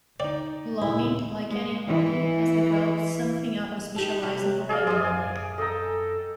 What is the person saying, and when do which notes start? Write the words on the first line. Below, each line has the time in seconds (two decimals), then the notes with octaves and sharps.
Blogging, like any hobby, has developed something of a specialised vocabulary.
0.20 D#4 D5 G5
0.81 D#2 A#2 C#3 E4
1.50 G#3
1.88 E3
3.96 D#4 G4 A4
4.23 C3 F#3 G4
4.69 G#4 D5 D#5 F5
4.87 F#2 C5 D5 G#5
5.58 A4 D#5 G5 A#5